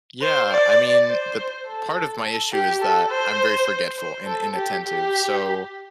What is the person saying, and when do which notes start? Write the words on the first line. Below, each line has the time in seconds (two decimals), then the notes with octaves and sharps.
Yeah, I mean, the p part of my issue is that I'm very forgetful and inattentive. So,
0.22 C5
0.51 D5
1.08 C5
1.67 A4
2.53 G4
2.82 A4
3.10 C5
3.98 C5
4.27 A4
4.56 G4
4.85 G4